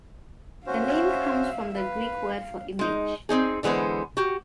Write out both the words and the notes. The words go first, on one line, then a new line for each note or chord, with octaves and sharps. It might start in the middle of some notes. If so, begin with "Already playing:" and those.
The name comes from the Greek word for "image".
C#4 F#4 C5 E5 F5
B4 F5
G#3 D#4
C4 C#4 D#4 G#4
D3 E3 G#3 B3 C5
F#4 G4